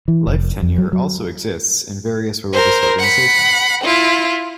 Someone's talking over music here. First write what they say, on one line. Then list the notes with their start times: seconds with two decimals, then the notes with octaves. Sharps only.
Life tenure also exists in various religious organizations.
0.08 E3
0.27 F1
0.62 F2
0.78 F#3
0.93 F#3
2.53 A#4 C5
2.99 F#5 B5
3.84 E4 F4